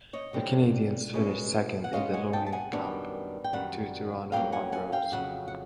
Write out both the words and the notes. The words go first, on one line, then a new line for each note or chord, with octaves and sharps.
The Canadiens finished second in the Laurier Cup to the Toronto Marlboros.
C#5 D#5
F#2 D3 G3 C4
B2 G#3 C#4
F#5
B2 G#3 C#4 D#5 F5
F#5 G#5
G5 A5
A5
F#5 G#5
F#2 D#3 G3 B3 D4
G5
F#2 D#3 G3 F#5
F2 C#3 F#3 A#3 C#4 F5 G5
F#5 G#5
F#5 G#5
F5 G5
F5
F2 C#3 F#3 F#5
F#5